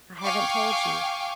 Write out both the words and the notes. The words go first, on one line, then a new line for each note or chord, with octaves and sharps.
I haven't told you.
F5 G5 G#5 C#6 D6